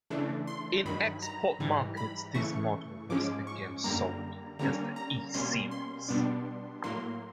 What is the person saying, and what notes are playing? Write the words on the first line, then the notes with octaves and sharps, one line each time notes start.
In export markets this model was again sold as the E-series.
C#3 E3 A3 D4
C6
G2 D#3 F#3 B5
A#5
G#2 E3 G3
B5
C#3 E3 A3 C#6
G#2 F3 G#3 C#4 D6
C#6
F#2 D3 G3 A#3 A#5
D3 G3 A#3 C#4 A#5
A#5
B2 G3 A#3 C#4 C6
C6
B2 G3 B3 D4
A2 F#3 A#3 C6